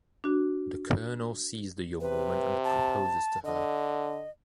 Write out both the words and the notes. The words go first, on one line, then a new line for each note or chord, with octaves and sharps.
The colonel sees the young woman and proposes to her.
D4 F#4
C3 B4
A5
D3 D#5